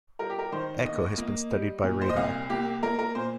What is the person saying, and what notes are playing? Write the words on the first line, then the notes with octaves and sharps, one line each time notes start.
Echo has been studied by radar.
G3 A#4
G4
A#4
D#3 C5
D#2 D#5
A#3
G3
A#2
C5
D#5
C2 F5
A#3 G4
A#3 A#4
A#4
A#2 C5